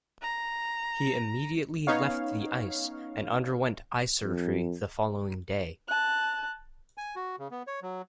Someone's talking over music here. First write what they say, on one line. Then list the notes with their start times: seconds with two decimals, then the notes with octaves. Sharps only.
He immediately left the ice and underwent eye surgery the following day.
0.22 A#5
1.87 B3 C#4 D#4 C#5 F5
4.23 F2
5.88 A5 F#6
6.97 G#5
7.16 F#4
7.39 C#3
7.51 B3
7.67 C#5
7.82 F#3